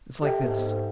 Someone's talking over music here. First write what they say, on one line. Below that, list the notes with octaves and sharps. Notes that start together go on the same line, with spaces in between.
It's like this.
G4 A4 D#5 E5 G5
G#2 B3